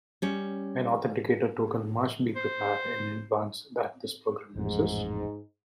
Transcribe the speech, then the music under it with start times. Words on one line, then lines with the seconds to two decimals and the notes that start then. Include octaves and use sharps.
An authenticator token must be prepared in advance that this program uses.
0.22 G3 C#4
2.36 C5
4.56 A1 F2 G#2